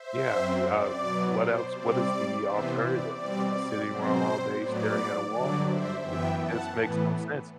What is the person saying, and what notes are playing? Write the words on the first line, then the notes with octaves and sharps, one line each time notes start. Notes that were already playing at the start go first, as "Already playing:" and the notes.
Yeah, so, um, what else what is the alternative? Sitting around all day staring at a wall? I mean, did it just makes no sense.
Already playing: C5 E5
F#2 F#3 C4
D5
B2 F#3 B3
C5
C3 G3 C4 D5
C3 E3 B3 C5 E5
D5
B2 G3 C4 D5
D5
B2 F#3 C4 C5
A2 F#3 B3 D5
G2 D3 F#3 D5
C5 E5
F#2 E3 B3 E5 G5
F#5 A5
A2 E3 B3